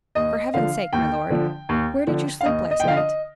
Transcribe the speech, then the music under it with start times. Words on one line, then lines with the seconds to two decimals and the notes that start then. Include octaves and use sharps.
"For Heaven's sake, my Lord, where did you sleep last night?"
0.15 D#2 D#5
0.54 D3 F3 F5
0.93 D#2 G5
1.30 D3 F3
1.69 D#2
2.07 D3 F3
2.41 F5
2.45 D#2 D#5
2.71 D#5
2.80 G5
2.83 D3 F3 F5
2.96 D#5